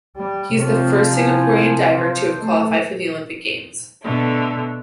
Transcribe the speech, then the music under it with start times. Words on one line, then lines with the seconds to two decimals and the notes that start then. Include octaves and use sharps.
He is the first Singaporean diver to have qualified for the Olympic Games.
0.17 G3
0.56 C3 F3 C4 F4 C#5
1.15 E4 G#5
1.90 C5
2.39 A3
4.01 B2 D3 A3